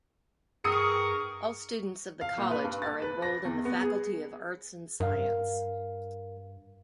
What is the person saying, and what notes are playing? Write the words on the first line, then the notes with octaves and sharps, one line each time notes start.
All students of the College are enrolled in the Faculty of Arts and Science.
G2 G#4 A#4 G5 C#6 D#6 C#7
F5
A#2
B4
G2
A6
B4
A#6
E2
B3
G#4
G2 A#4 F5